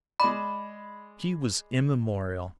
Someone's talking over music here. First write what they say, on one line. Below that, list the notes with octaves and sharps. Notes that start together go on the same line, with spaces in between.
She was immemorial....
G#3 D5 B5